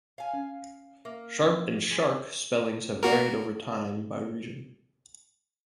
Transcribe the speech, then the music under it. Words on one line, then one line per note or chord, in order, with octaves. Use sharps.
"Sharp" and "shark" spellings have varied over time and by region.
F5 G#5
C#4
A#3 E5
E3 F3 C#4
D3 G#4
A#3 F#4 A#4